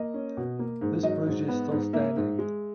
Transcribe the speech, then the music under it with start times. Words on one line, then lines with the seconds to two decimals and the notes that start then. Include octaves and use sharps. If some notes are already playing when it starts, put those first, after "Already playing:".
This bridge is still standing.
Already playing: A#3 D#5
0.14 C#4
0.37 B2
0.59 A#3
0.81 G#2
1.03 F#3 D#5
1.27 G#2
1.48 B3
1.71 G#2
1.93 A#3 E5
2.16 G#2
2.39 G#3